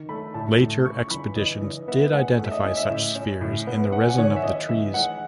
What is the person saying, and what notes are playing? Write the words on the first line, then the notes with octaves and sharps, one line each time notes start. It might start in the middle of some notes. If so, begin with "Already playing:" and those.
Later expeditions did identify such spheres in the resin of the trees.
Already playing: D#3
A3 B5
A2 A5
A2
C#3 C#6
E3 B5
E3 D#5
E3 D#5
B3 E5
G#3 F#5
A3
E5
D#5
C#4 D#5
E5
A2
C#4
A2
B3
C#4 F#5
G#5
F#5
D#3 C#5
E5
C#4 D#5
E3 E5
G#3 F#5